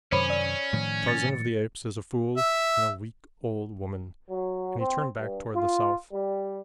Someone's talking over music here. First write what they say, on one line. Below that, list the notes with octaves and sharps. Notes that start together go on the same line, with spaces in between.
"Tarzan of the Apes is a fool and a weak, old woman," and he turned back toward the south.
F#2 C3 D#3 C#4 C5 C#5 B5
D5
A2 D#3 F3
A6 C#7
E5
F#3
C4
G2
F4
G3